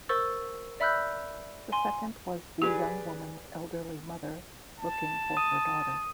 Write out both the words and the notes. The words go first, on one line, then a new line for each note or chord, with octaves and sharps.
The second was the young woman's elderly mother, looking for her daughter.
A#4 C5 C#6 E6 A6
D5 E5 B5 E6 F#6 G6
G#5 C6
G4 G#4 B4 D5
A5
D#6 D#7